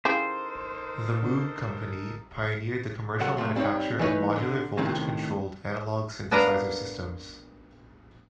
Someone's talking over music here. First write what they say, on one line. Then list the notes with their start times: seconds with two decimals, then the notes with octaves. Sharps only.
The Moog company pioneered the commercial manufacture of modular voltage-controlled analog synthesizer systems.
0.05 C#3 D#4 E4 G4 A4 A#4 C5
1.22 D3
3.21 F#2 C3 F#4 A4 F#5
3.37 B1 C3 A3 C6
3.56 G3 C4 D#4 C#5
3.99 E3 A3 D#4 F4 B4 C#5
4.36 D3
4.77 A2 C3 D#3 C4 C#4
6.31 B3 D4 A#4 B4 F5 A#5